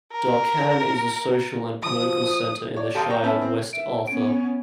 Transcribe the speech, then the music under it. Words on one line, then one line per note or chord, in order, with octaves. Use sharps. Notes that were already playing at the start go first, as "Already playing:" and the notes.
Darkan is the social and political centre in the Shire of West Arthur.
A#4
F3 D#6
C#5 D5
G4 A4 F5 C6 D#6
G5 A#5 C#6
B3 C#4 E4 A4
C4
E5 D7
B3 C#4 D7